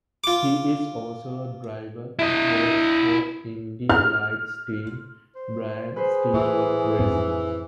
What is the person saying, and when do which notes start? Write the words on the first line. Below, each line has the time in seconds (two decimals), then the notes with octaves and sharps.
He is also a driver coach for Indy Lights team Brian Stewart Racing.
0.24 F4 D6
2.19 E4 D#5
3.90 F6
5.35 C5
5.96 G#4 B4 C5
6.34 A2 E3
6.99 F2 A2 C4